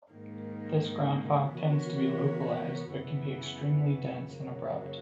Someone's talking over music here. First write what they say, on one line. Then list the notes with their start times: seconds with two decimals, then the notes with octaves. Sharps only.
This ground fog tends to be localized but can be extremely dense and abrupt.
0.11 G#2 D#3 A#3
1.51 E3 B3 F#4 A#4 C#5
2.91 F#2 C#3 E3 B3
4.31 F#2 C#3 F#3 A#3